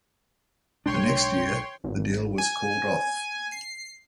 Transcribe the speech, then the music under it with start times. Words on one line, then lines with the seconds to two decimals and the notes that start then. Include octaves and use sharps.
The next year the deal was called off.
0.86 B1 G#3 D4 C#5 G5 C6
1.84 G#1
2.38 G#5
3.52 C7